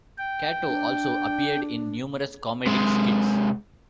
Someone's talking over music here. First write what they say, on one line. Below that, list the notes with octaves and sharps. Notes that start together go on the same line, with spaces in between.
Kato also appeared in numerous comedic skits.
G5
D4
C3 G#3